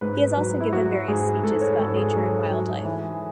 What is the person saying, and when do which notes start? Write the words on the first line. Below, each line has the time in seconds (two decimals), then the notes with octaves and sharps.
He has also given various speeches about nature and wildlife.
0.01 G#2 B4
0.37 F#3
0.60 E4
0.72 F#3 F#4
1.08 G#2 G#4
1.43 G#2 A4
1.61 C#5
1.79 G#2 A4
1.97 G#4
2.14 F#3
2.50 F#3
2.85 E3